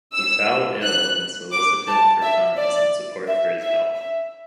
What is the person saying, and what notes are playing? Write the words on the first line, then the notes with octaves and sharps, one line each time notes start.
He fell ill and solicited for funds and support for his health.
E6
F#6
D6
A5
E5
D5
E5
E5
E5